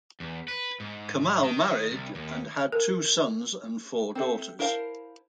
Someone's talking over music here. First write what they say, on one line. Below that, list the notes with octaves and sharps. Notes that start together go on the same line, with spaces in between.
Kamal married and had two sons and four daughters.
E2
B4
G#2
D#3
C2
D#2
A#4
C4 A4 E5
E4 A#4 C5 F5 A5